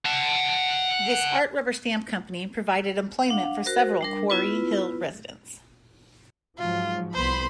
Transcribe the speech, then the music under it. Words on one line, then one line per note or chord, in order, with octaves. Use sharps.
This art rubber stamp company provided employment for several Quarry Hill residents.
F#5 A5
D4 F5 F#5
F#4 A#4 C5
G3 D4 A#4
B3 E4 F4 B4
G#2 F3 F#3 F4
C2 B3 C5 B5 C6